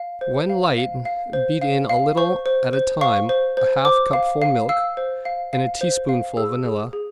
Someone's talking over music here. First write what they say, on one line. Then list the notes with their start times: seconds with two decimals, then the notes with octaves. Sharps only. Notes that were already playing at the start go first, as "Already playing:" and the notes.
When light beat in a little at a time, a half cupful milk and a teaspoonful vanilla.
Already playing: F5
0.21 C5
0.50 F5
0.78 F5
1.05 F5
1.33 C5
1.61 F5
1.89 F5
2.17 C5 C#6
2.46 C5
2.73 C5
3.01 F5 C#6
3.29 C5
3.57 C5
3.85 C5 D6
4.13 F5
4.42 F5
4.69 F5 E6
4.97 C5
5.25 F5
5.53 F5
5.81 C5
6.09 F5
6.37 G#4 E6
6.65 G#4
6.93 G#4